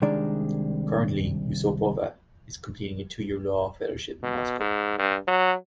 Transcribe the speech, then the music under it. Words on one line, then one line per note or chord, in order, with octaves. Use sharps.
Currently, Yusupova is completing a two-year law fellowship in Moscow.
C2 D#3 G#3 D4 D5
B2
G#2
G2
F#3